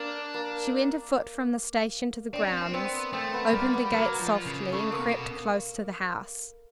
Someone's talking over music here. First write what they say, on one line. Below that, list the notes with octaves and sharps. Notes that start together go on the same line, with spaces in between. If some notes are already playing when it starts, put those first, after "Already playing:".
She went afoot from the station to the grounds, opened the gate softly and crept close to the house.
Already playing: A#3 D4
A#3
C4 D4
C#4
C4
B3 C4
A3 C4
B3
G3 A#3
B3
F#3 A#3
F3
C#3
C#3 A3
A#3
B2